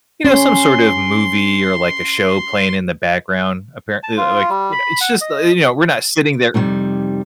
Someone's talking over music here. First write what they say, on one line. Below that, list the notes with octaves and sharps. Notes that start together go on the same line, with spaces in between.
you know some sort of movie or like, a show playing in the background. Apparently like, you know it's just, you know, we're not sitting there
C#4 C6
A5
F4
G3
B5
F#5
D#5
F2 C3 F#3 G3 C4 D#4